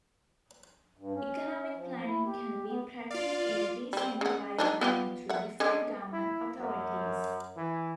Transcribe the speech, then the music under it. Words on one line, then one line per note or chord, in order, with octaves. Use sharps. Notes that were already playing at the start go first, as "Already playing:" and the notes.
Economic planning can be practiced in a decentralized manner through different government authorities.
G2
C#4
F3
E4
G4
B3
F4 D5 F5
G3 C4
C#3 F#5
F#3 D4 D#4
B3 F4 G4
E5 F#5
D3 G#3 C#4
E4
F#2
E3